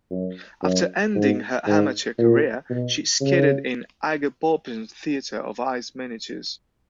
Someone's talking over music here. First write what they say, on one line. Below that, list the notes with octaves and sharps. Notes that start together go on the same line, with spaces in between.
After ending her amateur career, she skated in Igor Bobrin's Theater of Ice Miniatures.
F#2
F#2
G#2
G#2
A#2
B2
C#3